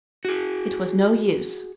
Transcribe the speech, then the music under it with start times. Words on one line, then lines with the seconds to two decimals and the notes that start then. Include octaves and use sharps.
It was no use.
0.25 F#4 G#4